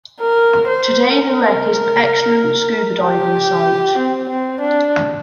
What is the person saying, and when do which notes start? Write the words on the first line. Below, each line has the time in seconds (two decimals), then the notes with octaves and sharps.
Today the wreck is an excellent scuba diving site.
0.21 A#4
0.67 C5
1.15 A#4
3.03 G4
3.98 C4
4.29 C4
4.61 D4